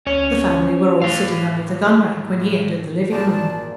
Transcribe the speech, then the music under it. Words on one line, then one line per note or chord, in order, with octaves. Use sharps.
The family were all sitting under the gunrack when he entered the living room.
D2 C#4 C#5
A2 G4 F5
G#1 A#2 D#4 D5 A5